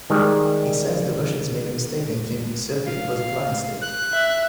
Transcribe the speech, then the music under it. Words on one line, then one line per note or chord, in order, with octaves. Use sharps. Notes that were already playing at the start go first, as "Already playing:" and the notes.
He says the Russians made a mistake in thinking Serbia was a client state.
D#3 G3 G#3
F5
F#6
E5